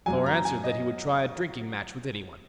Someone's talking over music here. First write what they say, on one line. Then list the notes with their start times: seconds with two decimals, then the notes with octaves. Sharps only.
Thor answered that he would try a drinking-match with any one.
0.06 F#2 F#3 A#3 G#5
0.26 A#5
0.45 G#5
0.64 D#5